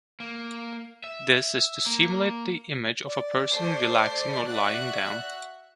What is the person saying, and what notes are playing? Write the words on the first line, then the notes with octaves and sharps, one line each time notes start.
This is to simulate the image of a person relaxing or lying down.
A#3
E5
A#3
D5
A3 C5 C7
F#4 E5 F#6